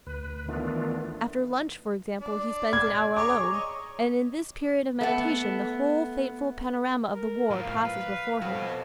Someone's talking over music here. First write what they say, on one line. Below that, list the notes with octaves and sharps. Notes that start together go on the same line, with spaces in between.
After lunch, for example, he spends an hour alone, and in this period of meditation the whole fateful panorama of the war passes before him.
D2 B4
D#3 E3 A3 B3 D4 F4
D4 D5
G#6
G#4 C#5 A#5 D6
C#5 D#5
A3 B3
A#4
A2 F3 F5
B4
F2 F#4 B4